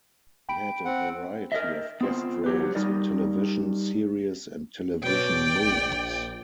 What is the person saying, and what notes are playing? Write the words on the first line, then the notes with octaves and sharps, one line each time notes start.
He had a variety of guest roles in television series and television movies.
G5 B5 D7
C4 F#5
A#4 B4 D#5 E5
B3 C4 F4
F#3 G4 B4
G3 D#4 A#4 D5
B2 B4 C#5 D5 G5
A#1